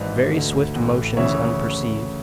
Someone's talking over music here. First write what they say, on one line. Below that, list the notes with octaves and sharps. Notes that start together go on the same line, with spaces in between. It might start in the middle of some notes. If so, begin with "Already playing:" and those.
Very swift motions unperceived.
Already playing: G#1 G#2 E3 B4 D5
D3
D2
A1 A2 E3
D2 C#3 E3 C#5 E5